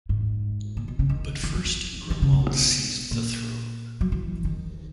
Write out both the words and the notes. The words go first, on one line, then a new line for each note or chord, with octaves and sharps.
But first, Grimoald seized the throne.
G#2
A#2
B2
C#3
D#3
E3
F#3
E3
D#3
C#3
B2
A#2
F#3
E3
D#3